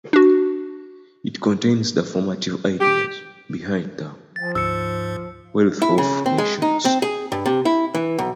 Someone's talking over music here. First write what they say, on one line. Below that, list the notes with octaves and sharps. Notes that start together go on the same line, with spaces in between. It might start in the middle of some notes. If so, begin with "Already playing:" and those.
It contains the formative ideas behind the "The Wealth of Nations".
D4 F#4
G4
F3 A6
D2 G#2 E6 C#7
E4
C#3
C4
G#3
D#4
C4
G#4
G2
C3
E4
E3
B1